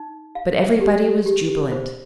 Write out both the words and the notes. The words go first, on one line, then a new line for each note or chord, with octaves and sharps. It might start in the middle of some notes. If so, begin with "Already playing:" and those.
But everybody was jubilant.
Already playing: D#4
F5
G4
G4
C5